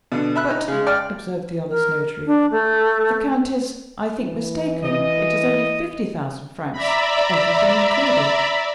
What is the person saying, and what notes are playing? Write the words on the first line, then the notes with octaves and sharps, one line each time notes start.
"But," observed the honest notary, "the count is, I think, mistaken; it is only fifty thousand francs, everything included."
B2 D3
E5 B5 F#6
D#4
C#3 G#3
D5 G5 F6
A#4
D4
A3
E3
D#5
D5 E5 A#5 B5